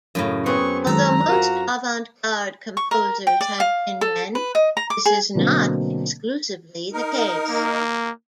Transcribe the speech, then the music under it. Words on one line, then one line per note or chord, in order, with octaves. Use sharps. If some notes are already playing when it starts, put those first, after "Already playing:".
Although most avant-garde composers have been men, this is not exclusively the case.
F#2 A2 C#3
B3 C4 G#4 C#6
D#3 F#3 G#3 A4 A#5
F4 F#4 A#4
C#6
A#4
G5
D5
F5
A4
B4
D#5
A#5
D6
G#4
B2 D3 F#3 A#3 C4
D#4 A#4
A#3